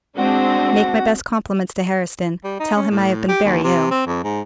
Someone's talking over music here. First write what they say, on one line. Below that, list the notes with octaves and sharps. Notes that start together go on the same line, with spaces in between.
Make my best compliments to Herriston; tell him I have been very ill.
G#3 C4 D4 F#4
G3
D#4
C#4
A2
G4
D#2
C3
C4
F2
G#2